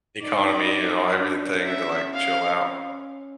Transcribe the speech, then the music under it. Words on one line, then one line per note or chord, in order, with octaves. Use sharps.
Economy and all everything to, like, chill out.
D#4 D5
D4
C#4 E5
F5
C#4